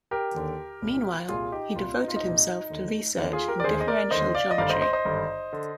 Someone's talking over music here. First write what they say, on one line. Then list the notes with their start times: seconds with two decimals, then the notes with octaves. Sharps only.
Meanwhile, he devoted himself to research in differential geometry.
0.11 G4 A#4
0.35 D#2 D3
0.82 C2 A#2
1.28 C2 A#2 F4 G#4
1.52 D#4 G4
1.76 C2 A#2 F4
1.99 D#4
2.08 F4
2.16 D#4
2.23 C2 A#2
2.70 D#2 D3
3.17 D#2 D3
3.33 F4 G#4
3.48 G4 A#4
3.60 D5
3.64 D#2 D3 G#4 C5
3.81 D#5
3.88 A#4 D5
4.11 D#2 D3 C5 D#5
4.34 D5 F5
4.51 D#5
4.58 G#1 G2 D3 D5 F5
4.70 C5 D#5
4.81 C5 D#5
4.93 C5 D#5
5.05 G#1 G2 D3
5.53 D3